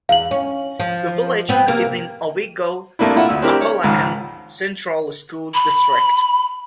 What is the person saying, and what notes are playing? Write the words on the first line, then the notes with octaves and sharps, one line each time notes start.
The village is in the Owego-Apalachin Central School District.
E2 F5 F#7
C#4
F3
B3 C4 B4
C3 A#3
C2 A3 A#3 D4 E4
A#2 E4 F4 E5 F#5
D2 E6
C4 D4 E4 G4 A#4
C#5
C#2 G#2 D#3 F3
B5